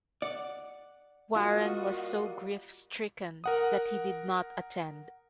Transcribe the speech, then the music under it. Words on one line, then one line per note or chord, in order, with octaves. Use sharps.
Warren was so grief-stricken that he did not attend.
D5 F#5
G3 A#3 F4 F#4 D#5 A5
A#4 F#5 D#6